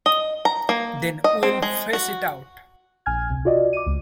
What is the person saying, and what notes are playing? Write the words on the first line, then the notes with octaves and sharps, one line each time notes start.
Then we'll face it out.
D#5
A#5
A#3
D#5
C4
G#3
F#4
A#1 G#5 F6 G#6
C#2 C3
F4 F#4 D5 D#5
D6 D#7
C#2